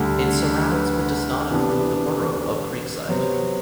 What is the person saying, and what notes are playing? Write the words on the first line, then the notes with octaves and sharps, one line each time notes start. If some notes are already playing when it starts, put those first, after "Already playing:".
It surrounds but does not include the borough of Creekside.
Already playing: D2 D3 G3 A4
B4
C3 E3 B3 D4
C3 F#3 B3 C5